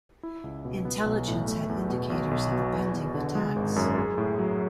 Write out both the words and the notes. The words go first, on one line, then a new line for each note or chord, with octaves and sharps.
Intelligence had indicators of the pending attacks.
E4
C#2
B2
B3
B1
A2
A3
E2
B2
B1
B1
B2
E2
E2
D3
G#3
G#1
F#2
G#4
A2
F#3